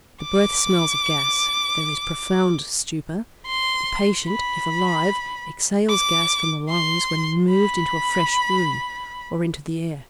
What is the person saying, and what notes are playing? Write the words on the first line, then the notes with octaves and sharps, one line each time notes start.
The breath smells of gas; there is profound stupor; the patient, if alive, exhales gas from the lungs when removed into a fresh room or into the air.
D6
C6
B5
D6
C6
B5